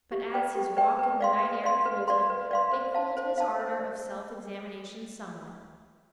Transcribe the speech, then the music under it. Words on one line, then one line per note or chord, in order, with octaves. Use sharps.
But as his walk in the night-air cooled him, it cooled his ardor of self-examination somewhat.
G4
B4 D5 G5
G4
B4 D5 G5
B4
D5 F5 C6
B4
D5 F5 C6
B4
D5 F5 C6
B4
D5 F5 C6
C5
F5 A5
C5
F5 A5
C5